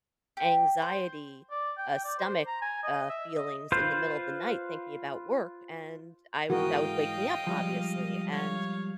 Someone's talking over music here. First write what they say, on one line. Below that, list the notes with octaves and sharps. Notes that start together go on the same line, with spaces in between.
anxiety, uh, stomach, uh, feelings in the middle of the night thinking about work, and I that would wake me up, obviously, and
G4
C5
D5
G5
D5
C5
A#5
G#5
D#5
E5
D#5
F4 B4 C5
G#2 E3 F#4 G#4 A#4 D#5 F5 G5
F3 G3 G#3
C#5 F5